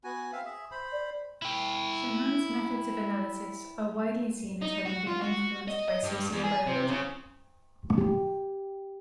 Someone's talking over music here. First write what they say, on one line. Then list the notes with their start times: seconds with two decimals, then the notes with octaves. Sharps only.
Chagnon's methods of analysis are widely seen as having been influenced by sociobiology.
0.04 B3 F#4 G#5
0.32 C4 E5 F5
0.45 G#4 E5
0.71 C5 B5
0.92 D5
1.42 E4 G5
4.62 D#4
4.85 F#4
5.06 F4
5.21 F#4
5.68 D#5
5.88 D#5
6.03 G2
6.32 E2
6.44 G#4
6.66 C3
6.89 C#3
7.98 G4